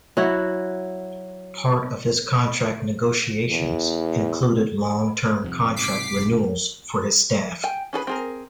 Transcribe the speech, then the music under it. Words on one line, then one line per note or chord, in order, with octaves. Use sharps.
Part of his contract negotiations included long-term contract renewals for his staff.
F#3 E4 F#4
E2
F2 C3
G#2 C3 D6 B6 C7
F1
D2
G5 G#5
C#4 G#4 A4 B4
C4 G#4 A#4